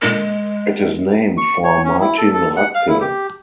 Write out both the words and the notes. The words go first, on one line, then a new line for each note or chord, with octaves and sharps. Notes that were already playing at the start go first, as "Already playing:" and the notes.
It is named for Martin Rathke.
A#2 D3 G#3 A#3
C#6
C#5
C#4
E4
A4
A4
F#5
F5
E4
G4